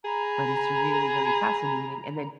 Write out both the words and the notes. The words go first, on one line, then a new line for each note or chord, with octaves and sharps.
but it's really really fascinating, and then,
G#4 A#5 B5